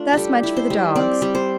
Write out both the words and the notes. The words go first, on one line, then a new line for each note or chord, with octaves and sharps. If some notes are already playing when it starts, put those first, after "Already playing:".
Thus much for the dogs.
Already playing: A3 D4 F4
G3 G4 A4
E4
C5
G3
C4 D5
G3
C5